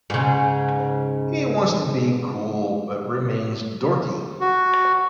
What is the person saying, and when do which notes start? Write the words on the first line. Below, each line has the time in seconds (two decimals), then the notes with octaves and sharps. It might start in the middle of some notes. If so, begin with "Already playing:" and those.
He wants to be cool, but remains dorky.
0.10 G#2 C#3
4.41 F#4